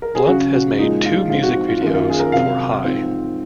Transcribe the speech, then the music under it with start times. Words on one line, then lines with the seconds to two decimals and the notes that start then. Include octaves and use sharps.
Blunt has made two music videos for "High".
0.02 A#4
0.15 G#4
0.27 C#3 F#3 C#4 F#4
0.53 F#4
0.79 A#2 F3 G#3 D#4
1.04 F4
1.30 G#2 F3 C4 F4
1.43 F#4
1.68 F4
1.81 F#2 D#3 A#3 C#4 F4
1.94 F4
2.10 G#4
2.20 A#4
2.32 C3 F#3 C4 F5
2.84 G#2 F3 C4